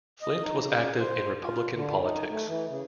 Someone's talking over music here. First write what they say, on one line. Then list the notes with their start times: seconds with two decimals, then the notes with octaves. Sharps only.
Flint was active in Republican politics.
0.22 D#5
0.43 D#4
0.64 C#3
0.99 C5
1.43 F4
1.73 D3
2.02 D#4
2.30 A3
2.47 E3
2.69 C#3